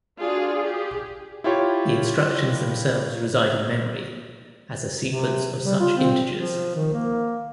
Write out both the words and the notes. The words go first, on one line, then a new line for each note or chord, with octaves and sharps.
The instructions themselves reside in memory as a sequence of such integers.
D4 F4 F#4 G#4 D5
G4 G#4
E4 F4 G4 C#5
C3
G3
F4
C4
F3
D#3
A#3